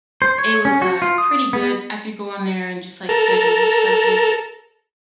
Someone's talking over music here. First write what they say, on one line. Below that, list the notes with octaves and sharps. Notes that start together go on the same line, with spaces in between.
it was, uh, pretty good. I could go on there and just like schedule each subject,
C5
C#5
C#4
F#4
F4
D#6
B3
A4 A#4